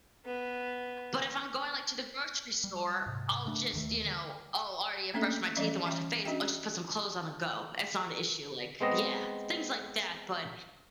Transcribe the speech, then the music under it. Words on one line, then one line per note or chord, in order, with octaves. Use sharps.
But, if I'm going, like, to the grocery store, I'll just, you know Oh, already I brushed my teeth, and wash my face, I'll just put some clothes on and go, it's not an issue, like yeah, things like that, but
B3
G3
G#2 C3
C#3 A3 C4 D4
D#2 D#3 A3
D3 G3
A3 A#3 C#4 D4 A4 E5
E3 F3 G3 C#4 D5 D#5
E3 C#4 E5 G5
C#4 D4 F#4 D#5 E5 G5
G#3 B3 C4 D#5